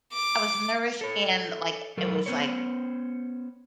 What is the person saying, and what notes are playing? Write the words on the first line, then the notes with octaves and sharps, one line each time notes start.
I was nervous and, like, it was, like,
D6
A4 C#5
F#3 A4 A#4
B3 C#4 C5 C#5